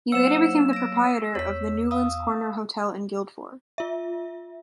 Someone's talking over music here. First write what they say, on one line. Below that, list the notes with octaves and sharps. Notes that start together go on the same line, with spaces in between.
He later became the proprietor of the Newlands Corner Hotel in Guildford.
F#3 A#3 C5 F#5 E6 C#7 E7
A#6 D7
E2 C#5 B6
F5 D#6
F4 E5